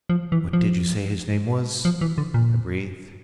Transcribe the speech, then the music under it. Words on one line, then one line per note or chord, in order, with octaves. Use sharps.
"What did you say his name was?" I breathed.
F3
E3
F3
F3
E3
D3
A#2